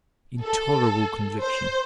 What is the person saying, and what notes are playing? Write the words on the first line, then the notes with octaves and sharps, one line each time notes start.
Intolerable conviction!
A4
C5